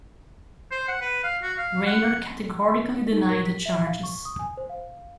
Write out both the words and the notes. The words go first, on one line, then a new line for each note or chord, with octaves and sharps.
Raynor categorically denied the charges.
C5
F#5
B4
F5
F#4
F5
F#5
D#4
A#4
B6
E5
F5
C#6
D#6
G#5
C5
F5